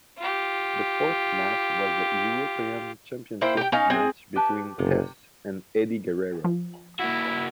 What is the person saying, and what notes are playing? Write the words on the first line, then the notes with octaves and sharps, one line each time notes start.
The fourth match was the European Championship match between Test and Eddie Guerrero.
F4 G4
A#3 E4 C5 G5
G4 G5
C#4 D#4 F5
C4 G#4
G4 B4 A5
F#1 C3
F3
A#3 E4 F#4